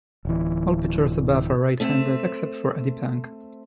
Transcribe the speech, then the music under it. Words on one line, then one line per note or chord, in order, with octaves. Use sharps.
All pitchers above are right-handed, except for Eddie Plank.
D1 E3
A3 C4 E5